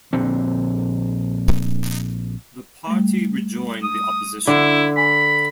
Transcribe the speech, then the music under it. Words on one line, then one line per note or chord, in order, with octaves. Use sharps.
The party rejoined the opposition.
A#1 D3 C4
G3 A3
D#6
D3 E4
G#5 B5